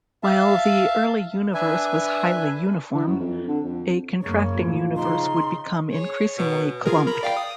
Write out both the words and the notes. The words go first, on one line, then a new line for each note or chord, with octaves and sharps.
While the early universe was highly uniform, a contracting universe would become increasingly clumped.
E5 F5 A5
D4 B4 E5 G#5
E3
F#2
F2
D3
F2
F#2 C#3 A#3 C#5
A2 F3
C#3 D#4 C6
G#4 C#5
B2 B4
F4 G#4 A#4
A#4 B5
D5 F5 G5
D#6